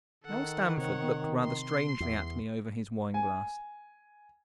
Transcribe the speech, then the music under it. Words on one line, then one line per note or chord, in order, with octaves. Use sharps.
Young Stamford looked rather strangely at me over his wine-glass.
D#3 A4 F#5
C3 C#5 F#5
C6 C7
E2
G#5